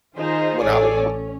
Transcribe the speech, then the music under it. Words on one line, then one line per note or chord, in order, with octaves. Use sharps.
when I w w
D#3 D#4 F4 G#4 C5
A1 G#4 A4 C#5 D5 G#5
C#4